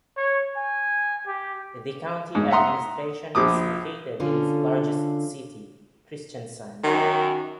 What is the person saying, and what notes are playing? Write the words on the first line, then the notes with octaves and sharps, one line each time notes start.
The county administration is located in its largest city, Kristiansand.
C#5
G#5
G4
G#2
E5 F#5 A#5 C6 D#6
A#1 F3 D6 D#6
D3 C#4 F4 A4
F#2 D#3